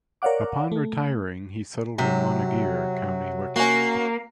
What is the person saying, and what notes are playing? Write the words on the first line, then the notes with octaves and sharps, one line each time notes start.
Upon retiring, he settled in Monageer, County Wexford.
A#4 C#5 D5 F5 F#5 D6
A3
F#2 C3 F#3
A#3 C#4 F#4